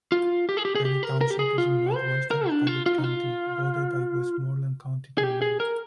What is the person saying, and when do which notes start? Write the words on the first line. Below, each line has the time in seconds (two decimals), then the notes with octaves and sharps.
Perry Township is in northwestern Fayette County, bordered by Westmoreland County to the north.
0.12 F4
0.49 G4
0.57 G#4
0.65 G4
0.75 G#4
0.85 G4
1.03 A#4
1.21 A#4
1.31 G4
1.39 G#4
1.58 F4
1.94 C5
2.31 A#4
2.49 D4
2.67 F4
2.86 F4
2.98 D#4
3.04 F4
5.18 G#4
5.23 G4
5.42 G#4
5.60 A#4